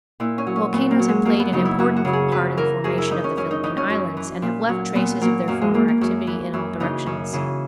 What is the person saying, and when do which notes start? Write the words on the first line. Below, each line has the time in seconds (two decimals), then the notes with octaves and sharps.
Volcanoes have played an important part in the formation of the Philippine Islands and have left traces of their former activity in all directions.
0.20 A#2 E4
0.38 C#4
0.47 F#3
0.56 C#4
0.73 A#2 B3
0.91 A#3
0.99 F#3
1.09 G#3
1.25 F#2 A#3
1.40 B3
1.52 C#3 F#3 D#4
1.65 E4
1.79 F#2 F#4
1.96 F#4
2.05 C#3 F#3
2.13 G#4
2.32 F#2 B4
2.57 E3 A#4
2.84 F#2 G#4
2.98 E4
3.10 E3 D#4
3.24 C#4
3.37 F#2 C#4
3.51 D#4
3.63 E3 D#4
3.77 C#4
3.90 F#2
4.17 E3
4.42 A#2
4.69 F#3
4.95 A#2 B3
5.21 F#3 A#3
5.48 F#2 A#3
5.61 G#3
5.74 E3 A#3
5.88 A#3
6.01 F#2
6.27 E3
6.53 F#2
6.80 C#3 E3 D#4
7.06 F#2
7.33 C#3 E3